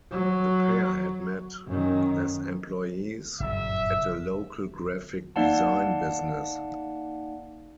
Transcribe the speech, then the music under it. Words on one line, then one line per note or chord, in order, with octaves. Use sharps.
The pair had met as employees at a local graphic design business.
F#3
F#2 D#3
F#1 G2 A#2 E5
A#3 D#4 D5 F5 F#5 A5